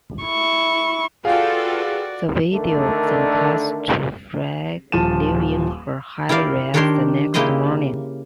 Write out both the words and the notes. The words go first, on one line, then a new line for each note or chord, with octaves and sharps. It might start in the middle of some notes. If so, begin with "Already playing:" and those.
The video then cuts to Frey leaving her high-rise the next morning.
E4 C#6
F4 F#4 G#4 A4 B4 D5 F5 G5
D3 D#3 A3 D4 A#4
D#1 F3 A5 D#7 E7
E4 G4 A#4 D5 F5
D#3 D4 G4 A#4 C#5 C6
C#3 A#3 E4 G4 D#5 C6